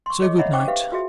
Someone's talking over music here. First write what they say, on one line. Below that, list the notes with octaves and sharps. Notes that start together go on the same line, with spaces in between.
So good night.
C6 C#6
G#4 C#5 D#5 D6
C#5 D#5 E5 F#5 A#5 B5
D#4 C5 F#5 G5 C#6 D6
G4 B4 E5 F5
F4 F#4 G#4 E5